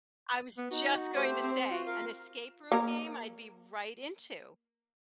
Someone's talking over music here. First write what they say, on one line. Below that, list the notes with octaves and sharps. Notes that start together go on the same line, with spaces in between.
I was just going to say an escape room game I'd be right into.
B3
D#4 F#4
A3 G4 C5
C4
F4 F#4
A#4 F5
A#3 A#4